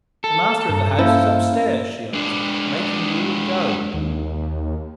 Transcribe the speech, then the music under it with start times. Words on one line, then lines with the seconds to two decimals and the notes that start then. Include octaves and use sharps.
"The master of the house is upstairs," she answered, "making you a goad."
0.24 A4
0.69 G2 A#5
0.99 A#3 C#4 E4 C5 F5 E6
2.14 G#3 D4
3.93 D#2